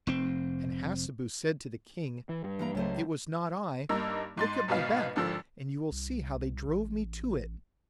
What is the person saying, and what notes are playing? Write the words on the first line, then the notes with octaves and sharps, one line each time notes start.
And Hassebu said to the King: 'It was not I: look at my back and you will see how they drove me to it.'
F1 C4
E3
G2
E3 A#3 A#5
C#2 F#3 A3 C5
G2 A#3 D#4 A#5 E6
G#2 C6 A6
G#1 B2 D#4 B4 F5
G#1 D3 F3 E6
C2
A1